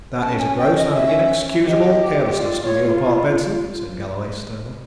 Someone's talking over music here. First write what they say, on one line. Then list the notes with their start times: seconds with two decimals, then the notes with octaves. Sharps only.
"That is gross and inexcusable carelessness on your part, Benson," said Galloway sternly.
0.20 C#4 A5
0.39 G#5
0.58 G5
0.76 D#5
0.94 E5
1.66 G4 D#5
2.39 F4 D5
2.64 C#5